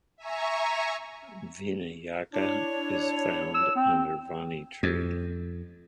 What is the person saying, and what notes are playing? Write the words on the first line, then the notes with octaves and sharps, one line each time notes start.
Vinayaka is found under Vanni Tree.
E5 G#5 A#5 C#6
D4 E4 C#5
E6
C4
F2